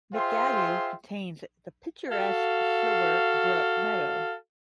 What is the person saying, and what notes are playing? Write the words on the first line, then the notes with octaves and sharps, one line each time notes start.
McAdoo contains the picturesque Silver Brook Meadow.
F4 G#4 C5 E5 G5 C6
F#4 A4 F5